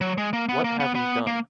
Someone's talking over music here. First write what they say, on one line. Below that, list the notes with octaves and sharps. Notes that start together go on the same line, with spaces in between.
What have we done?
F#3
G#3
A#3
B3
A#3
B3
B3
A#3